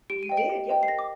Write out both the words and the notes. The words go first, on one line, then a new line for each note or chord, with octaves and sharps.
You did. Yeah.
G4 D7
D#7
C5 D#5 G5
D7
G4
C5 D#5 G5
C7
A#4 A#6
D6